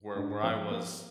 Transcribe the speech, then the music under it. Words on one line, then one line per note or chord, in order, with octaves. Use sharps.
where where I was,
G#2 D4
F3 C4
A#3